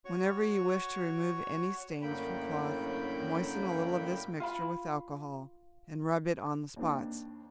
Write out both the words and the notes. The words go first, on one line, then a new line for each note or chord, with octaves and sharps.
Whenever you wish to remove any stains from cloth, moisten a little of this mixture with alcohol and rub it on the spots.
F#4 C#5 C#6
F#2 A2 D3 A#3 G5 B5
F4 F5 B5
D#2 D#3 C4 D4